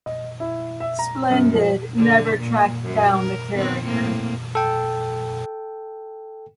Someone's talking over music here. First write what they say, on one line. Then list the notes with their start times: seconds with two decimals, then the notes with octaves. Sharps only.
"Splendid" never tracked down the carrier.
0.06 D#5
0.40 E4
0.80 E5
0.99 A#5
1.30 F#2
1.55 F3
1.97 D3
2.38 A#2
2.86 F#2
3.17 A#4
3.54 D#3 B3 C4
3.84 A2 A#3 C4
4.55 A4 G5